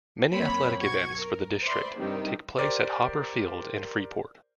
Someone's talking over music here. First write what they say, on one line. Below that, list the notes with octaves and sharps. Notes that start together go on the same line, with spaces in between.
Many athletics events for the district take place at Hopper Field in Freeport.
F#2 A#3 C4 C#5 B5
B1 F#4 C#6 G#6
A#4
B4 C5 D5 E5 C6
G2 C3 D#3 G3 D#4 G4
G4 A#4 C5 D5